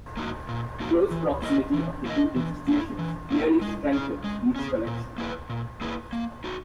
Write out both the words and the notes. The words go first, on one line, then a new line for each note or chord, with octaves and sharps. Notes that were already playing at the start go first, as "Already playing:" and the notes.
Close proximity of the two institutions clearly strengthens each collection.
A#3 D#4 F#4
A#2
A#3 D#4 F#4
E3
A#3 E4 A#4 D#5
E3
A#3 E4 A#4 D#5
E3
A#3 E4
E3
A#3 E4
G#3
C#4 G#4
G#3
C#4 G#4
A#2
A#3 E4 G#4 B4
A#2
A#3 E4 G#4 B4
A#3
D#4 F#4